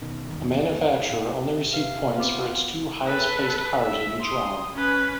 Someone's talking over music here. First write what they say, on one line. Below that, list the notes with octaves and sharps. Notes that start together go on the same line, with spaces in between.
A manufacturer only received points for its two highest placed cars in each round.
B2 D#3
E1 E2 G2 D#3
D1 D#2 E3 A3
A2 F5
C3 G#4
B4 F5
B3 C4 F4 F5 B5 D6
A4 B4
E5
C6 D#6
C#4 B4